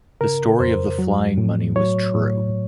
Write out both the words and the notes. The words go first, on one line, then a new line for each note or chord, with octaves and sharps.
The story of the flying money was true.
C#3 A#4
F2 C5
F#3
A2
F#3 C#5
A2